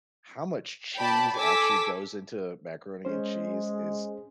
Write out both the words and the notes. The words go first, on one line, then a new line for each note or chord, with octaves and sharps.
how much cheese actually goes into macaroni and cheese is
D5 G5 A5 B5
A4 G#5 D6 E6 B6
G#3 C#4 C5